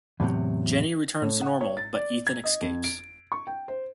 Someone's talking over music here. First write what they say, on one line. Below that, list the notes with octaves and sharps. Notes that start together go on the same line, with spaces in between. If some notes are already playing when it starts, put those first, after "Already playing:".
Jenny returns to normal, but Ethan escapes.
E2 A2 C3 F#3
A2
F#5
C#5
A6
D5
G#6
D#5
F2
D7
C#6
G5
C5